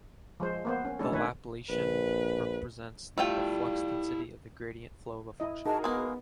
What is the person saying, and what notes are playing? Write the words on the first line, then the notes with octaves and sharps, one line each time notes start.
The Laplacian represents the flux density of the gradient flow of a function.
F3 G#3 C5
A#3 B3 C5
C#4
G#3 A3 C#4 D4 E4 A4
D#3 A3 B4 C#5
A#1 B4
G3 A3 E4 F4 F5 G5
E4 D#5
D#4 F#4 G#4 A#4 A5
G#3 A#3 B3